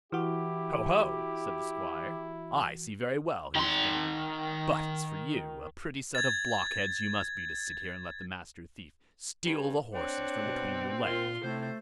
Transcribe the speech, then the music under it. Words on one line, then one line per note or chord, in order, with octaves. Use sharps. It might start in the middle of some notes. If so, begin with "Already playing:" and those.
'Ho! ho!' said the Squire; 'I see very well who has been here; but as for you, a pretty set of blockheads you must be to sit here and let the Master Thief steal the horses from between your legs.'
E3 E4 F#4 G4
D#3 C6
G#6 A6
G2
C4 D4 C#5 F#5
B2
A#2 F4 A#4 C6
A2 C3 A3 C5